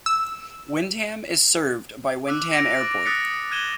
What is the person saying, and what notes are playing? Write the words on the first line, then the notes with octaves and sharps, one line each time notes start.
Wyndham is served by Wyndham Airport.
E6
D6 E6 F#6
A#6 D7 F7
D6 A6 D7
D#6 E6 F#6 A6 B6 C#7
F#6 G#6 D#7 E7 G7